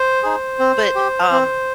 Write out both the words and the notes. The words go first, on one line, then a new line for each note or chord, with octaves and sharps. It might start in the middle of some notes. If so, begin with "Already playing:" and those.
but, um,
Already playing: C5
D#4 G#4
C4
G4
C4